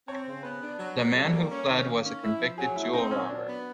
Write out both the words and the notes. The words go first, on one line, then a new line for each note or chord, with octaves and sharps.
The man who fled was a convicted jewel-robber.
C4 C#5
C#3 C5
B3 B4
D4
F#3
F#3
G3 A4
A#3
C#4
D#3
A#3
C#4
E4
F3
F#3 G#4
A3 E4
C4 D#4
A#2 C#4
F#3 D4
B3